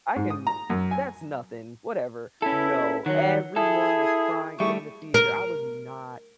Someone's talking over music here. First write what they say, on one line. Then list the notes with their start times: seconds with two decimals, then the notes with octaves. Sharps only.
I can that's nothing, whatever." No, everyone was crying in the theater. I was not,
0.16 G#2
0.30 D#6
0.47 A#5
0.70 F#2
0.91 G#5
2.42 E2 C#4 E4 A4
3.06 D#3 F#3 C#5 F#5
3.56 E4 G#4 A4
4.60 G3 A3 E4 G#4 C#6
5.14 A#4